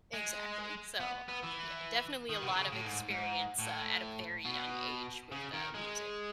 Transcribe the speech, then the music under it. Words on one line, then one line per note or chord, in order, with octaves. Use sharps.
Exactly. So, um, yeah, definitely a lot of experience, uh, at a very young age with, uh, music.
G#3
B3
B3
E3
D#3
B2
C#3
A2
G#2
G#2
A2
B2
C#3
D#3
G#3